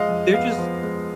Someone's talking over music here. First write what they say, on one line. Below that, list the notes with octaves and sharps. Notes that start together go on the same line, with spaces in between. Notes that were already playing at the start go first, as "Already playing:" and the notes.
They're just
Already playing: F3 G#3 D#5 F5
F2
B3 F5
F3
G#3